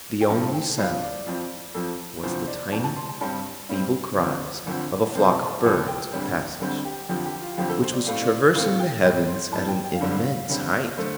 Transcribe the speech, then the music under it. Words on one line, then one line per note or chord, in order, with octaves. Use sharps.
The only sound was the tiny, feeble cries of a flock of birds of passage, which was traversing the heavens at an immense height.
G5
G2 F3 C4 A5
G5
G2 F3 C4 F5
D5
F2 F3 C4
F2 F3 C4 A4
D2 C3 F3 C5
D5
D2 C3 F3 A5
A5
C6
A5
G2 G3 C4 A5
G2 G3 C4
D2 D3 F3 C4
D2 D3 F3 C4
C2 C3 F3 C4 C6
A5
A5
C2 C3 F3 C4 G5
G5
D2 D3 G3 C4
D2 D3 G3 C4
G4
F2 D3 F3 C4 G4
G4
F4
F2 D3 F3 C4 G4
A4
C5
D5
A2 A3 C4 F5
D5
A2 A3 C4 F5
G5
A2 G3 C4 G5
C6
A2 G3 C4 A5
G5
G5
F5
G2 D3 G3 C4 D5
F5
G2 D3 G3 C4
D3 A3 C5